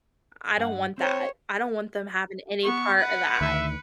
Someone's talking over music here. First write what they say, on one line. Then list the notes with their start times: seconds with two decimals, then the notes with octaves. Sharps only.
I don't want that; I don't want them having any part of that.
0.58 G2 G#4 F#5
0.98 C4 C5 C#5 G5
2.64 B3 C#6
3.00 B4 F#5 C#7
3.41 D2 D#3 E5